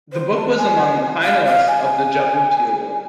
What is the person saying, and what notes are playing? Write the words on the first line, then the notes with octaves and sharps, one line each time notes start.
The book was among the finalists of the Jabuti Award.
C5
A5
G#5
F5
F5
G#5